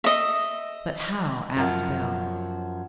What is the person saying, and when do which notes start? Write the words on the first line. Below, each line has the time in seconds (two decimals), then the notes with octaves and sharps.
"But how?" asked Bell.
0.04 D#5 E5
1.57 F#2 F3 F#3